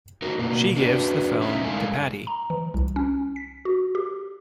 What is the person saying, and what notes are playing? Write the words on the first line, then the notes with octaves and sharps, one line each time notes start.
She gives the phone to Patty.
D#4 F#4 A#4
B2 A#3 F#4
D4 F#4 B4 C#5 D5
A2 C#4 D#4 E5
G2 G#3 A4 A#4 F5 G#5
A#5
E3
C2
C#4
B6
F#4
G4